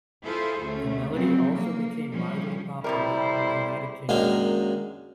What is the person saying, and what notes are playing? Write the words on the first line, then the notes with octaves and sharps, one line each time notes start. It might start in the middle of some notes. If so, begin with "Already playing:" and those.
The melody also became widely popular in the United Kingdom.
E4 F4 G#4 A4 C5
D2 A3 C#4
C#3 F3 F#3 C4
A#3
F3 G3 C#4
A2 C3 G3 E4 A#4 C5
F#2 D#3 G#3 A#3 D4